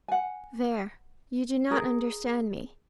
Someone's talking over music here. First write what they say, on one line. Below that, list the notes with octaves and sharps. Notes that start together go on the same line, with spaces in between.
There--you do not understand me.
F#5 G#5
G#4 A#4